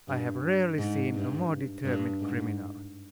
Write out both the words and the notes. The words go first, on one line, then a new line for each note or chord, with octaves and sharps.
I have rarely seen a more determined criminal.
G2
G#2
G2
G2
G#2